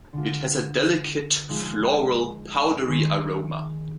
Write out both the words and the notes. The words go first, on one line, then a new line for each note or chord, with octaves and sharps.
It has a delicate, floral, powdery aroma.
D3 G#3 D4 F4
F3 G#3 D#4
D#3 G#3 D#4